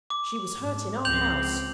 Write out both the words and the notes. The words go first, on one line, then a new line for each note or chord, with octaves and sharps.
She was hurt in our house.
D6
G#2
C#2 F3 C4 G6 F7 F#7